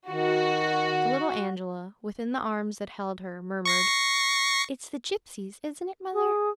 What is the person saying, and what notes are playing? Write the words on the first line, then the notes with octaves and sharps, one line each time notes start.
The little Angela, within the arms that held her, murmured, "It's the gipsies, isn't it, mother?"
D#3 F#4
C#6 A#6 C7
G#4